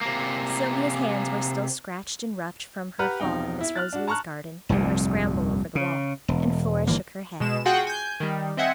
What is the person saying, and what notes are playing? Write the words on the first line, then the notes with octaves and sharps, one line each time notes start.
Sylvia's hands were still scratched and roughed from her fall in Miss Rosalie's garden and her scramble over the wall, and Flora shook her head.
C3 A#3
G4 B4 F#5 A#5 F6
E1 C2 D#4 G5
E4
F6 F#6 A6
D4 F#4
A5 A#5 C#6 F6 F#6
F1 C2 G2 A#2
C#3
E1
G1 E3 A#3
B2 G#3 E7
F4 F#4 G#4 F#5 G5
G#5 G6
D#3 G3
C4 D#5 E5 F#5 G#5